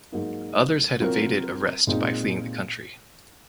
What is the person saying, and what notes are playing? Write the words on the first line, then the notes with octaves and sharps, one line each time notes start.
Others had evaded arrest by fleeing the country.
G#2 F#3 A#3 D#4
F#3 C4 F4 A#4
A#2 G#3 C4 D#4